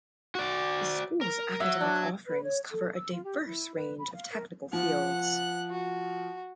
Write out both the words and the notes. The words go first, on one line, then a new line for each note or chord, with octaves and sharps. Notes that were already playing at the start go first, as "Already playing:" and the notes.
The school's academic offerings cover a diverse range of technical fields.
F#4 D5
A#4
F#3 E5
D4
B4
C#5
A4
E6
F4
G4
E4
B4
B5
F5
A#4
F3 F#5 F#6
F#4